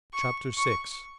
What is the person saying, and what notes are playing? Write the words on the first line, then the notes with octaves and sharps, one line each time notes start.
Chapter VI.
C#6
C#6